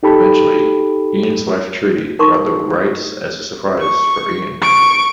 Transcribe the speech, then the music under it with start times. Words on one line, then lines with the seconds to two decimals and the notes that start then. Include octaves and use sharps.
Eventually, Ian's wife Trudi bought the rights as a surprise for Ian.
0.03 D#4 G4 A4 B5
2.19 D#4 A#4 C6 C#6
3.81 C#6
4.61 C#6 D7